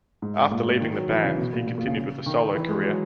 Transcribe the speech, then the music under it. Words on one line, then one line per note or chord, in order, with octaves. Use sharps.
After leaving the band, he continued with a solo career.
G#2
A#2
A#2
D#3
F#3
E3
C#3
B2
A#2
A#2
A#2
C#3
D#3
E3
G#3
F#3